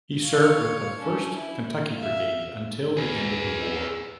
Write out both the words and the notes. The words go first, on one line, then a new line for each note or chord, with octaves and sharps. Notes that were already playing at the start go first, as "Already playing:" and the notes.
He served with the First Kentucky Brigade until the end of the war.
C#5 F5
C#4 D4
E4
E5 F5
G#4 B4